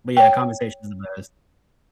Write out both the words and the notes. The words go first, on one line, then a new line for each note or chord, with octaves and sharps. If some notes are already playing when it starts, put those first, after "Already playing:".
But, yeah, conversation is the best.
C#5 G5